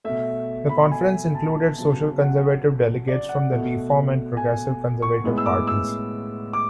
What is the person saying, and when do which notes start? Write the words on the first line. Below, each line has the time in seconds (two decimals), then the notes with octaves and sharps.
The conference included social conservative delegates from the Reform and Progressive Conservative Parties.
0.04 B2 A3 E5
0.69 B5
0.91 G#5
1.35 A5
1.78 C#3 F#3 B3 A5
2.21 F#5
3.08 D5
3.29 F#5
3.51 B2 A3
4.37 G#5
5.02 C#6
5.24 A2 G#3 B3
5.38 E6
5.46 D6
5.67 E6
6.53 D6